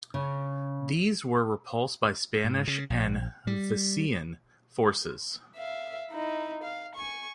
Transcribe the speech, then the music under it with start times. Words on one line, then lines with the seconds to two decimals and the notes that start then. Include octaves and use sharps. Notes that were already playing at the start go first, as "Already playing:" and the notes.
These were repulsed by Spanish and Visayan forces.
0.14 C#3
2.44 G#2
2.68 C#3
2.90 A#1
3.47 G3
5.56 E5 F5
6.11 D#4 E4
6.63 F5
6.95 G#5 C#6